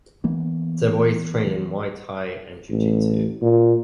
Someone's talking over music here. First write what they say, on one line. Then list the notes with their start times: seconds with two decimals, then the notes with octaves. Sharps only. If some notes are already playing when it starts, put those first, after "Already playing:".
Savoy is trained in Muay Thai and jujutsu.
0.24 E3 A#3 B3
2.70 A1
3.42 A#2